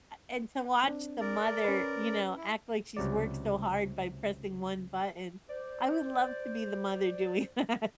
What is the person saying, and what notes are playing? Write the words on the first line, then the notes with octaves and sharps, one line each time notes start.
a and to watch the mother, you know, act like she's worked so hard by pressing one button. I would love to be the mother doing that.
C4 D4
A#4 D5
C#4 B4
E4
C#2 C3 F#3 D5
C5 D5